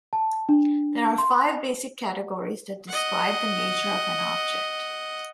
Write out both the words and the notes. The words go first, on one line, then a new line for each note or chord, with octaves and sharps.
There are five basic categories that describe the nature of an object.
A5
D4
C6
D#5 F#5